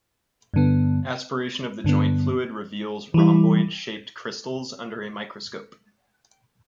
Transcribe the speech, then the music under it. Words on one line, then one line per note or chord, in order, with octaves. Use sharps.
Aspiration of the joint fluid reveals rhomboid-shaped crystals under a microscope.
G2 D3 B3
G2 D3 B3
E3 G3 E4